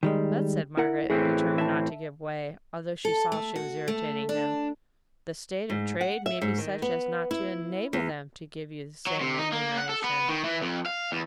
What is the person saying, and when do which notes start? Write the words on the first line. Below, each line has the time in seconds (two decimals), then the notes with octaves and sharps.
'But said Margaret, determined not to give way, although she saw she was irritating him, 'the state of trade may be such as not to enable them to give you the same remuneration.
0.03 D#3 G3 G#3
0.77 E4 A#4 F#5
1.10 A2 E3 C4 G#4
1.58 E5 A5
3.05 A4
3.32 A3
3.56 F#4
3.88 A3
4.29 D4
5.70 G#2
6.01 F#5
6.26 E5
6.42 G#2
6.58 D#3
6.82 B3
7.31 E4
7.93 E2
9.07 F#3
9.21 C3
9.39 D#4
9.52 A#3
9.77 F#5
9.89 A4
10.04 B3
10.28 D#3
10.44 E3
10.62 F2
10.86 F5
11.12 E2